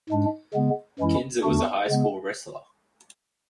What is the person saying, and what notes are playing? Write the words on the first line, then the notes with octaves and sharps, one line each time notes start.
Kinser was a high school wrestler.
G#2 G#3 D4
C#3 G#3 B3
F#2 E3 G#3 C#4 E4
E2 D3 A3 D4 F#4
C#3 G#3 B3